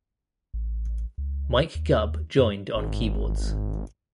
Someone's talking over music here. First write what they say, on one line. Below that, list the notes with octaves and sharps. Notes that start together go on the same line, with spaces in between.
Mike Gubb joined on keyboards.
A1
C#2
D#2
F#2
G#1